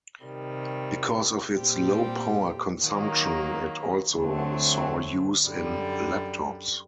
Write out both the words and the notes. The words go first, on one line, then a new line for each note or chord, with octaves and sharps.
Because of its low power consumption, it also saw use in laptops.
C3 D#3 G3
A#2 G3 C4 G4
D#3 F#3 A#3
D2 D3 F#3 A3 C4
F#2 D3 G3